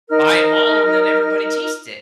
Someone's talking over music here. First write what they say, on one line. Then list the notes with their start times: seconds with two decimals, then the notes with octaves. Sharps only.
buy 'em all and then everybody taste it.
0.09 D#4 A#4 F6